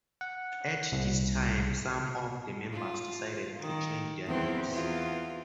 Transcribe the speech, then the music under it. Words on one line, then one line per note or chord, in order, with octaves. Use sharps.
At this time some of the members decided to change their names.
F#5
C2
F4
D#3
E2 C4
E2 F4